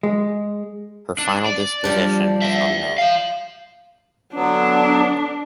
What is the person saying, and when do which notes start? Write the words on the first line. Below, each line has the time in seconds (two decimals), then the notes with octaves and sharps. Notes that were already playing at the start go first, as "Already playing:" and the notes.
Her final disposition is unknown.
0.03 G#3
1.19 D4
1.46 D5
1.84 F3 G3 D4
2.42 D5 E5
2.98 F3 F5
4.34 D3 F#3 B3 D4